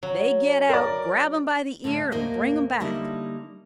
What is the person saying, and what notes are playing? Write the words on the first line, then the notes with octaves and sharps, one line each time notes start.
"If they get out, grab them by the ear, and bring them back."
F#3
A#4 D5
A2 D3 A3 C#4
D#2 A2 A#3 C5 D#5 F5
D3 G3 A#3 D#4 E4